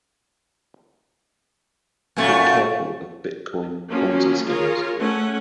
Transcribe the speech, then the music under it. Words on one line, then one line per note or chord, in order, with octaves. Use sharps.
Be careful of bitcoin Ponzi schemes.
F#2 A#2 A3
F3 F#3 A#3 C#4
F4 G#4 A#4 C#5
A3 C#4 F#5